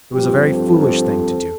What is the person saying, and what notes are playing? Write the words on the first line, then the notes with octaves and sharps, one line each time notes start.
It was a very foolish thing to do.
G2 F3 C4 G4
A4